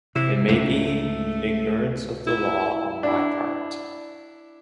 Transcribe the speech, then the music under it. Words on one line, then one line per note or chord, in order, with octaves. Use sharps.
It may be ignorance of the law on my part.
C3 E4
C#2 G#2 D3 A3
E4
D4 E4